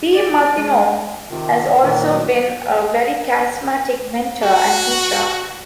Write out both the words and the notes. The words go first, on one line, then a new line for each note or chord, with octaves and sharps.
De Martino has also been a very charismatic mentor and teacher.
D5
G#3
C3 D#3 F4
A#2 D#3 E3 C#5
F#3
F#4